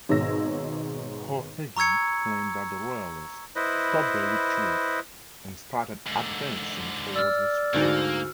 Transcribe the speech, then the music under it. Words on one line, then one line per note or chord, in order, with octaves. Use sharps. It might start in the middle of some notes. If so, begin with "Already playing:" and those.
O'Higgins claimed that the royalists stopped their retreat and started advancing towards his troops.
G#1 G#2 B2 C#5 E6 A#6
A#5 C#6 E6 G#6 C#7
E4 B4 C5 D#5
G#2 D3
D5 E6 F6
D2 G#2 A#3